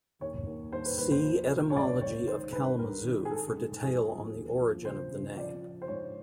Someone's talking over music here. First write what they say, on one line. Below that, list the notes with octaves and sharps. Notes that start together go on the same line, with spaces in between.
"See," Etymology of Kalamazoo for detail on the origin of the name.
D#2 C#5
D#2
D#2 C5
B4
D#2 B4
C5
F3
C3
C#5
C#2 D5
C#2 C#5
D#3 C5
G2 B4
G2 A#4
D#3
G#4
G#2 A4
G#2
F3 G#4
F3
D#2
F3
C#3 C5
C#3
F3 D5
F3
C5
G#2 C#5